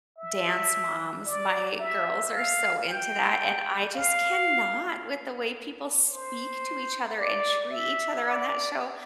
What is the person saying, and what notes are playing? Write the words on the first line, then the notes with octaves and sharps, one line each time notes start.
Dance Moms, my girls are so into that, and I just cannot with the way people speak to each other and treat each other on that show,
E5
D5
E5
F5
G5
F5
C5
D5
E5
D5